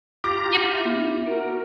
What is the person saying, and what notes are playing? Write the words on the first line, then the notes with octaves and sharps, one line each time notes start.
Yep, mhm.
F4 G4 A#5 D6
E4
F#4 A#4